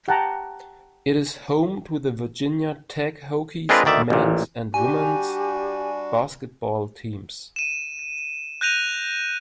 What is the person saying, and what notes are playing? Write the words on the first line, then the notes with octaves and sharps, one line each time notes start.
It is home to the Virginia Tech Hokies men's and women's basketball teams.
G4 F#5 G5 A5 A#5
G#3 C4 D4 F4 A#4 B4
D2 D#3 D5 E5
A1 A#2
G3 D4 F#4 G4 G#5
D#7 E7
F#6 G6 A#6 D#7 F7